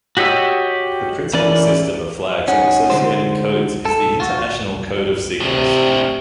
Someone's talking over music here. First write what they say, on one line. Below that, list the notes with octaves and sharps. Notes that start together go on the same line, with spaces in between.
The principal system of flags and associated codes is the International Code of Signals.
F#4 G4 C#5 D#5 E6
E3 C#4 A#4 D5
C#4 D#4 F#5
D3 G#3 C5
A4
F4 F#4
A2 C3 D4